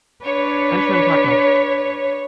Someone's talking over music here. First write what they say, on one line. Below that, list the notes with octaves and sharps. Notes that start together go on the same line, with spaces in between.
Einen schönen Tag noch!
D4 B4 C#5